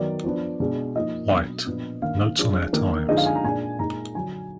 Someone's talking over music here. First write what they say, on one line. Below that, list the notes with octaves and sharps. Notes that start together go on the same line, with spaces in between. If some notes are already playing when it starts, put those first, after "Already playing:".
White: Notes on our Times.
Already playing: D#3 F#3 B3 D5
F3 B3 D4
B2 G#3 D4
F3 A#3 D#4 D#5
B2 F#3 D4
A#2 F3 B3 D4
D#3 A#3 D4 F5
F3 G#3 D4
D#3 A#3 D4
D3 F3 G#3 D#4 D#5
F5
G#5
A#5
A#2 G#3 D4 G#5
A#2 G#3 D#4 A#5
D3 F#3 D4 G#5